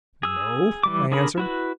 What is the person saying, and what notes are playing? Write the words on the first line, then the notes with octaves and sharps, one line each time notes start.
"No," I answered.
G#4 E6
E3 G3 D6
D3 D4 G#4 A#4 B5
E4 F#4 B4